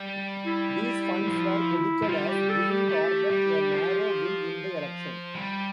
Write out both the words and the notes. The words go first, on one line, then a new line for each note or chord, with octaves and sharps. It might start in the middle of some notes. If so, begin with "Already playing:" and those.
These funds were credited as giving Corbett a narrow win in the election.
Already playing: G3
E4
F3
F3
G3 F4
G4
A4
G4
A3
G3
F3
G3